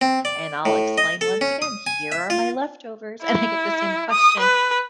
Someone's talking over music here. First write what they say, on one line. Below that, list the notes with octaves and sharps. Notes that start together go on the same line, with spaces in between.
and I'll explain once again, "Here are my leftovers," and I get the same question.
C4
D5
A2
D#5
A4
C#4
D#6
G#5
E5
F4
E4
D#6
B4